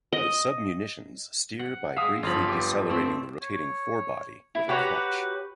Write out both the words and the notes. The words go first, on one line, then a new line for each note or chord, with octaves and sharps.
The sub-munitions steer by briefly decelerating the rotating fore-body with a clutch.
D#5
F#5
G#3 E5 F5 D#6
G1 F3 F4 A#5 B5
G4 B4
A3 C4 E5
C#5
E4
F#4 G4 B4 C#5 F#5 A#5